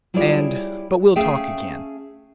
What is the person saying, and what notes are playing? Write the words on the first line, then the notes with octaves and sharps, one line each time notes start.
And--but we'll talk again.
G3 E4 F4 G#4 C#5 D5
A3 C#4 G#4 E5 F5 G5